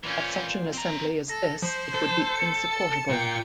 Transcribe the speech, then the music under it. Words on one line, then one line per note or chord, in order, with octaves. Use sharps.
At such an assembly as this it would be insupportable.
A#2 E3 C4 C#4
C4 A#5
A4 A#6
F3 C5
A4
C#7
A5
F4 A#4 G5